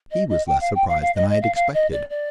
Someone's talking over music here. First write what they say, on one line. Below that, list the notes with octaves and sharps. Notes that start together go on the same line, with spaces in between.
He was less surprised than I had expected.
D#5
D#5
G5
F5
G5
F5
F5
D#5
D#5
F5
F5
D#5
D5
D5